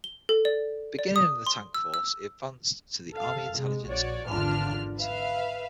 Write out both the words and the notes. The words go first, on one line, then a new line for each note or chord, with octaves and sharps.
Beginning in the Tank Force, he advanced to the Army Intelligence art department.
G7
A4
D5
D5
D#6
C6
E6
E6
A4 F5
C3 G#3
A#1 F#4 C#5 D5
G#1 E2 D3 D4 F4 F6
B4 E5 F5